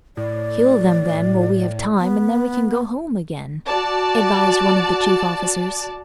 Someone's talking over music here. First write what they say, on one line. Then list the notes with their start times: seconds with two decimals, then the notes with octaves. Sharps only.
"Kill them, then, while we have time, and then we can go home again," advised one of the chief officers.
0.17 A2 D5
1.99 B3
3.66 F#4 D5 A5